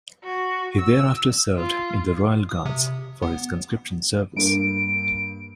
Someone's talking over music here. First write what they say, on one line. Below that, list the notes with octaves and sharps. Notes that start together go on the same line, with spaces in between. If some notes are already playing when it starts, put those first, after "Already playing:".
He thereafter served in the Royal Guards for his conscription service.
F#4
E6
F4
D#6
C3
B3
G2 A#3 D7